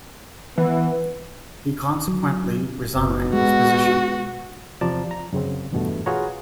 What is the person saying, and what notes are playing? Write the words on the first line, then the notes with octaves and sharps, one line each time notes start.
He consequently resigned his position.
E3 B3
F#3
F#1 B2
G#3 F#4
E2 C3 F3 D5 A5 A#5
A#5
F#2 C#3 C4
E2 G2 B2 A3
F4 F#4 G#4 B4 C#5 A#5